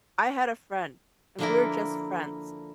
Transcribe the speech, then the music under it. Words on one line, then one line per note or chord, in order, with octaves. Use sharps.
I had a friend, and we're just friends.
D3 F3 A#3 D4 E4 A#4